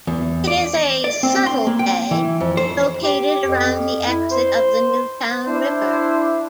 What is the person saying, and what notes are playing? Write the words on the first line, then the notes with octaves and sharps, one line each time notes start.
It is a subtle bay located around the exit of the Newtown River.
E2
D5
D5
C4
C6
A#3
G5
E3
F2
C5
G4
F2
E4
C5
D4 E4 C5